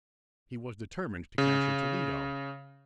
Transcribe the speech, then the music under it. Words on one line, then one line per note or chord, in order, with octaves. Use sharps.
He was determined to capture Toledo.
C#3